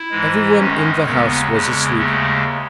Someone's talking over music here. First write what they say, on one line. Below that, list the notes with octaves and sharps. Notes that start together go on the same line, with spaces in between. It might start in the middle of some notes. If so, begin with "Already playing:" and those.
Everyone in the house was asleep.
Already playing: E4
G#2 E3 G#3
F#2 D#3 G#3 C#4
D#2 C#3 G#3 B3
E2 C#3 G#3
D#2 C#3 G#3 A3